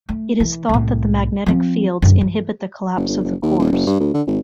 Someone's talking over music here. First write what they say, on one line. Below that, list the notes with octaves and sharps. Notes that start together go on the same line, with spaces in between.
It is thought that the magnetic fields inhibit the collapse of the cores.
A3
E3
C2 A2
F3 C4
F#2 D3
E3
F#1
G1
F#1
D#2
D#1
F#1
G2
D2
D3
G#1